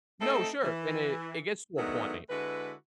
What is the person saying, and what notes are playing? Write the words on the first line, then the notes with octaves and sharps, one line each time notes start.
No, sure, and it it gets to a point.
A3 C4 D#4 A4
E3
D#3 F#3 G#3 A3 B3 D4
D3 G#3 E4 F#4 B4